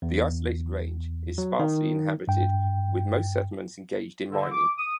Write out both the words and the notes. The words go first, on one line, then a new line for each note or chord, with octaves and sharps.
The isolated range is sparsely inhabited with most settlements engaged in mining.
E2
F#3
D#3
G2 G5
D3
D6
D#6